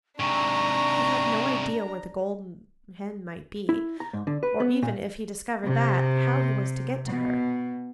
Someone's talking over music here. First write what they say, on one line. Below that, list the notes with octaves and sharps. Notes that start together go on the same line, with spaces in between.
He had no idea where the golden hen might be, or even, if he discovered that, how he was to get to her.
G#2 C3 D4 A#5 C#6
E4
A#5
G#2
D3
B4
B3
A#2
C3
B2